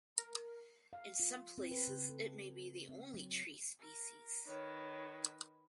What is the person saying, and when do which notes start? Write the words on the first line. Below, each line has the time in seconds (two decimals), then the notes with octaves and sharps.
In some places it may be the only tree species.
0.18 A#4
0.93 F5
1.20 F4
1.58 C4
1.71 B4
1.87 C#3
2.09 A4
2.89 C4
3.14 F#3
3.79 A#4
4.47 D#3 B4 C#5